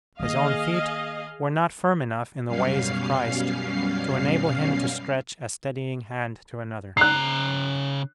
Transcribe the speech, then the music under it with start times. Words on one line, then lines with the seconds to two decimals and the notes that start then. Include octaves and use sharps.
His own feet were not firm enough in the ways of Christ to enable him to stretch a steadying hand to another.
0.20 D#3 A#3 G#4 D#5 F5
2.48 F#2 B2 G3 C#4 F5 C7
6.97 C#3 A#5 F#6 C7